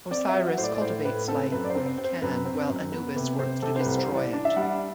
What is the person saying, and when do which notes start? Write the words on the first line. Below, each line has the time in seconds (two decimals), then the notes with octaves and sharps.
Osiris cultivates life where he can, while Anubis works to destroy it.
0.11 C4 D5
0.29 E5
0.34 F#3
0.46 F#5
0.57 A2 C5
0.63 D5
0.75 D5
0.81 A2 C5
1.05 A2 B4
1.28 C4 A4
1.52 F#2 B4
1.64 D5
1.70 C5
1.75 C4
1.86 C5
1.98 C4
2.04 C5
2.22 F#2 B4
2.45 C4
2.69 F#2
2.92 B3 B4
3.16 C3 B4
3.39 C3 C5
3.62 C3 A4
3.76 C5
3.80 B4
3.86 C2
3.98 C5
4.10 E3
4.15 D5
4.33 D4
4.45 E5
4.56 G3 F#5